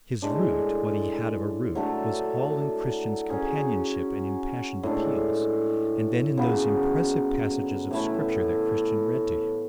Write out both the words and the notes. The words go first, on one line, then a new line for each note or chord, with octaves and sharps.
His root, what he had of a root, was all in Christian's companionship and impassioned appeals, and then in those impressive passages of Scripture that Christian read to him.
A2 G#3 D4
F#3 A3 D4 A4
F#3 C#4 G#4
A2 G#3 D4
C#3 F#3 B3
A2 E3 A3 E4